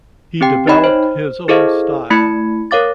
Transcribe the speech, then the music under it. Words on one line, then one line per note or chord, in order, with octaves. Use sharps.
He developed his own style.
C4 G4 G5
D#4 C#5 D#5 G5 B5
C5
E4 G#4 A4 C5 D#5 F5
A3 E4 B5 G#6 C#7
A#4 C#5 F5 D6 A6